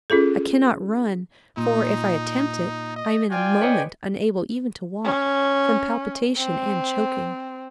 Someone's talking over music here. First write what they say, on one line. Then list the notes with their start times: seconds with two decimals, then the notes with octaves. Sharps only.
I cannot run, for, if I attempt it, I am in a moment unable even to walk--from palpitation and choking.
0.10 C#4 F4 G#4 A4
1.57 A#2 D#4
2.96 D#5
3.30 F4 D5 G5 G#5
3.62 B4 C#5 D#5
5.05 C#4
6.38 C4